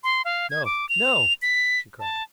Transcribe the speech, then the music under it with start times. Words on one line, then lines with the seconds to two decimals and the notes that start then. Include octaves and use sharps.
"No, no," she cried.
0.04 C6
0.25 F5
0.50 G#6
0.65 D6
0.89 F7
1.42 B6
2.00 A5